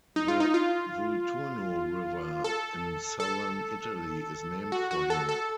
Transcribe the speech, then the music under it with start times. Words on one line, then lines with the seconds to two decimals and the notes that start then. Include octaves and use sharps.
The Volturno River, in southern Italy, is named for him.
0.16 D#4
0.28 F4
0.40 D#4
0.54 F4
2.44 A4
3.20 A4
4.72 F#4
4.91 F#4
5.10 A4
5.29 A4